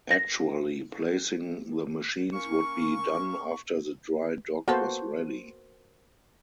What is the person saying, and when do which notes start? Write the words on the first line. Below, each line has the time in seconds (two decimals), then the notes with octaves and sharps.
Actually placing the machines would be done after the dry dock was ready.
0.11 A#6
2.33 A#3 C#4 C#6
4.68 A#3 B3 F#4 A4 C5